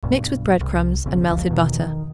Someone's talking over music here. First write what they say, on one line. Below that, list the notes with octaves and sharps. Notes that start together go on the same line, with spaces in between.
Mix with bread-crumbs and melted butter.
B1 G2
C2
E1 B1 A#2 C#3
F1 C#2 A2 F3
E2 B2 D#3
D#3